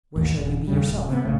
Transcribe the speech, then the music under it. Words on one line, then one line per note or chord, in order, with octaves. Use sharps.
"Where shall you be yourself?"
A1 D#2
D#1
D#2 C#3 G3
D#1
C3 A3 B3
A#1 C#3 A3